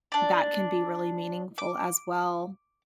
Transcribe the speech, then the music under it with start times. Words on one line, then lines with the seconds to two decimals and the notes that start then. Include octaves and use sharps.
that can be really meaningful as well.
0.12 D4 D5
1.58 D6